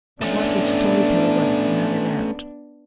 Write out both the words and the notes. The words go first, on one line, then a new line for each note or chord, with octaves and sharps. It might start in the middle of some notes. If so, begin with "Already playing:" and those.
But what a story-teller was Mary Lant!
A3 B3 C#4 D4